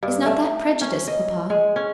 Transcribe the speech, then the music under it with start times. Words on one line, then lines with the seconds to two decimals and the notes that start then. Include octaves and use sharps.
"Is not that prejudice, papa?"
0.03 G2
0.26 A3
0.81 C#4
1.08 D#5
1.50 G#3
1.76 C#4